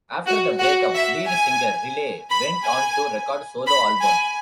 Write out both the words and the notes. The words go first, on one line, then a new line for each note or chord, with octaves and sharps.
After the breakup, lead singer Riley went on to record solo albums.
F#4
F#4
E5
G#5
B5
G#5
B5
G#5